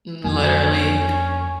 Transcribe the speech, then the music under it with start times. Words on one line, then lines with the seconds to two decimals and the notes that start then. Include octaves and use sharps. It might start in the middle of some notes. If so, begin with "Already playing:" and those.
Mm, literally.
0.24 F2 F#3 A#3 G#5
0.63 C#4